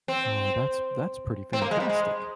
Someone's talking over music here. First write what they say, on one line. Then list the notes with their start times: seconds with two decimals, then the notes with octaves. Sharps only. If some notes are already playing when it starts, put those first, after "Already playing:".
Oh, that's that's pretty fantastic.
0.08 C4
1.53 C4
1.62 A#3
1.71 G#3
1.80 G3
1.89 G#3